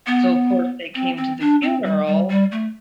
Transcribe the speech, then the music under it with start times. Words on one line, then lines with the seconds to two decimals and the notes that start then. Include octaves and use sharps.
so of course they came to the funeral
0.07 B3
0.95 C4
1.17 C4
1.40 D4
1.62 C4
1.85 G3
2.06 G3
2.29 G3
2.52 A3